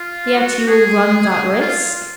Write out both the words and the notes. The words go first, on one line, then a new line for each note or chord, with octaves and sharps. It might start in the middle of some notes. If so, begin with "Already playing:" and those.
"Yet you will run that risk?"
Already playing: F4
F#4
G#4
G#4
F4